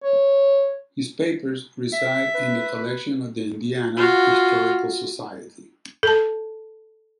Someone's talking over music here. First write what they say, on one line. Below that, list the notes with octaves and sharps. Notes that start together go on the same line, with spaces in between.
His papers reside in the collection of the Indiana Historical Society.
C#5
E5
B4
F4 F#4
A4 A5